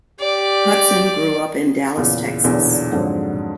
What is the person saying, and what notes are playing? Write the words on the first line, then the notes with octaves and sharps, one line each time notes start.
Hutson grew up in Dallas, Texas.
G4 D5
E2 A#2 C#3
B1 E2 A#2 D3
F2 G#2 D3 F#3